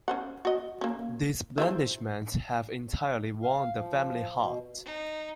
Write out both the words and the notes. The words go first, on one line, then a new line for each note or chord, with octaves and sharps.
These blandishments have entirely won the family heart.
C#4 C5 F#5
F#4 D#5
A#3 C#4
E4 G#4 C5
F5
F3
B2
D#4